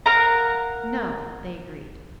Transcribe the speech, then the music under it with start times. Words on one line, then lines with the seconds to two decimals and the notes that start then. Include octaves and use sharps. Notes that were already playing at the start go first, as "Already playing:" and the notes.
"No," they agreed.
0.06 A#4 F5 F#5 A#5